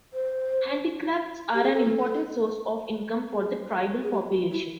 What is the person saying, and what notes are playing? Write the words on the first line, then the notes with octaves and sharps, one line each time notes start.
Handicrafts are an important source of income for the tribal population.
C5
G4
G#4
A4
G#4
G#4
G4
F#4
E4